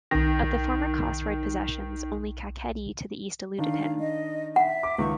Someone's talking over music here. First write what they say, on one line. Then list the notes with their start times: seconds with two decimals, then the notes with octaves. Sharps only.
Of the former Chosroid possessions, only Kakheti to the east eluded him.
0.11 B1 D#3 A#6
3.58 D#3 D4 F5
4.00 D#5
4.56 E5 F#5
4.83 D6
4.98 C#2 D#3 C#6